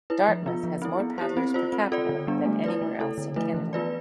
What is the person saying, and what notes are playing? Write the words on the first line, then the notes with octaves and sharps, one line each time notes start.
Dartmouth has more paddlers per capita than anywhere else in Canada.
E4 B4
F3
B3 F4
F3
C4 E4
B3
E4 G4 C5
C4
F4 C5
C4
F4 A4 D5
D3
G3 B3 D4
A3
E4 B4 D5
A3
E4 A4
D3
F3 A3 E4 B4
E3
B3 F4 B4 D5